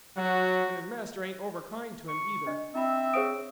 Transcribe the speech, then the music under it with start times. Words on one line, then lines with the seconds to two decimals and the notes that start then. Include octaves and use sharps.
And his master ain't over kind to him either.
0.17 F#3 F#4
2.08 C#6
2.46 D4 D5 D#5
2.75 C4 E4 E5 B5
3.14 G#4 C5 C#5 F5 D#6 D7